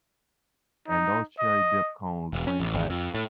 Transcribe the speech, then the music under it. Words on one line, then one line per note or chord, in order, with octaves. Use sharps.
And those cherry-dip cones bring back
D#4
D#5
E1
C#4
A1
G#1
F2
A2